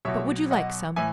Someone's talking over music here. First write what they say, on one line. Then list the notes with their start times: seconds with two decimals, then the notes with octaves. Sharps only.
But would you like some?
0.05 B1 B2 C#5 E5
0.51 D#5 F#5
0.96 A2 E3 E5 G#5